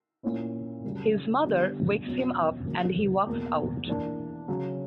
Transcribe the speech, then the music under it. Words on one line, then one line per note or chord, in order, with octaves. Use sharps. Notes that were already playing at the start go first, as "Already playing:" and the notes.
His mother wakes him up and he walks out.
A#2 A#3 C#4 E4
F#2 C#3 G3
D3 G3 B3 D4 G4
E2 B2 F#3 C#4
C#3 F#3 A#3 C#4
E2 B2 A#3
E3 A#3 D4
C#3 F#3 C#4